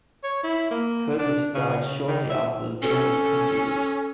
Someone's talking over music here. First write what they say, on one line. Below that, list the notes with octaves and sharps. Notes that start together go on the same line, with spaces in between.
Curtiz died shortly after the film was completed.
C#5
E4
A#3
D4
C#3
C#3
D#3
E5
C#4 A4